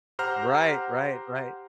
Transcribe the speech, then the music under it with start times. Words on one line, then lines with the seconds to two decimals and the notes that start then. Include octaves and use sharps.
Right, right, right.
0.19 G4 C5 F#5 A#5 F6